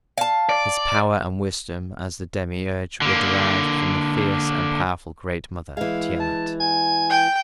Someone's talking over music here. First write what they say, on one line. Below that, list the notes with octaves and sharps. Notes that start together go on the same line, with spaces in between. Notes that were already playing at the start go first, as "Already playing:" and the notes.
His power and wisdom as the Demiurge were derived from the fierce and powerful Great Mother, Tiamat.
F5 A5
D5
D3 A#3
E3 G#3 F5
A5
G#5
G5